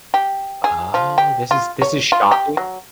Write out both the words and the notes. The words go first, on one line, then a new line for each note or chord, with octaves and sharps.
Oh, this is this is shocking.
G4
G#4
F3
G4
F4
C#5
F4
G4
F#3